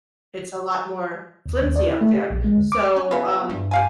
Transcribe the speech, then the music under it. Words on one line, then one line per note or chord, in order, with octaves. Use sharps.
it's a lot more flimsy up there. So, um,
D#2
D#2
D5
E4
A3
G4
A#1
G#3
D2
D6
C#4
C#3 E3 B3
G2
G4 F5 G#5